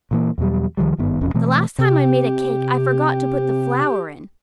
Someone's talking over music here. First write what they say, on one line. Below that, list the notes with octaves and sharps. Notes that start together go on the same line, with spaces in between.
The last time I made a cake I forgot to put the flour in.
A#2 E3 A#3
E2 B2 F#3 G3
C#2 D#3 F3 G3
G#1 G2 D#3 B3
E1 A#1 F2 C#4
B2 E3 A3 C4
C3 G4